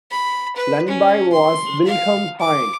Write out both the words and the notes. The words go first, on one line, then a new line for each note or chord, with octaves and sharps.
Lundbye, was Vilhelm Kyhn.
B5
B4
C#4
C6
F5
D6